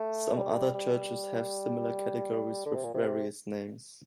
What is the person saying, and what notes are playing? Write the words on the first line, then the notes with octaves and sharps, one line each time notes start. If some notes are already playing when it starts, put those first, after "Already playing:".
Some other churches have similar categories with various names.
Already playing: A3
G3
A3
G3
G3
G3
D3
C3
A#2
C3